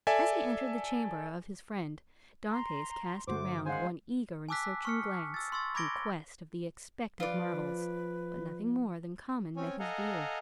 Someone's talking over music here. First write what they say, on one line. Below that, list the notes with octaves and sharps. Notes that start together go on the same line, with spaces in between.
As he entered the chamber of his friend, Dantes cast around one eager and searching glance in quest of the expected marvels, but nothing more than common met his view.
A4 D5 E5 G#5
A#5 C6
G2 D3 A3 F#4 C5 D6
G#3 C#4 C5 F5 F#5 G#5
G#5 A5 D6 E6 F#6 B6
C#6 F6 C#7
E6 A6
C6 C#6 E6 A6
B5 D6 G#6 A#6 D7 G7
F3 F4 B4 D5
C4 C#4 C#5 G#5
A4 D#5 F5 F#5 G#5 A#5